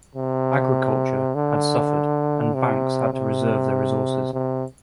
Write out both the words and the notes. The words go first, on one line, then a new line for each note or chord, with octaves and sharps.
Agriculture had suffered and banks had to reserve their resources.
C3
D3
C3
C3
C3